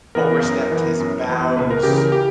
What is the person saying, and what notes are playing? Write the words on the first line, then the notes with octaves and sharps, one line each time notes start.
overstepped his bounds
E3 B3 A#4
F#2
E3 B3
F#2
E3 B3
C#2 B4
A#4
C#3 E3 G4
A#4
G4